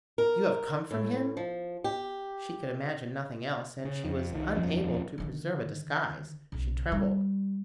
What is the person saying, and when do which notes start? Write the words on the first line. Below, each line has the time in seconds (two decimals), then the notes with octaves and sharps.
"You have come from him?" she could imagine nothing else, and she was unable to preserve a disguise; she trembled.
0.18 A#4
0.91 A2
1.37 F3
1.84 G4
3.85 C#3
4.05 F2
4.33 C2 D#3
4.56 D#1 F2 F3 C#4
5.18 D3 D#3
6.52 B1 C#3
6.92 G3